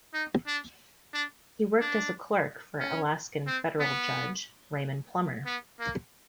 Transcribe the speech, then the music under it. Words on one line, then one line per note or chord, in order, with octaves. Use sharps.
He worked as a clerk for Alaskan federal Judge Raymond Plummer.
D#4
D4
D4
D4
C#4
C4
B3
B3
A#3